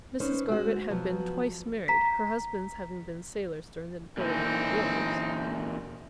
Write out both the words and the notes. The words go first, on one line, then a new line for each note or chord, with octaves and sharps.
Mrs. Garbutt had been twice married, her husbands having been sailors during the Napoleonic wars.
C#4 D#4 B4 C5
G#3 C4 F#4
B2 F3 F#3 B3 C4
A#5 B6
A#2 D3 E3 C4 D#4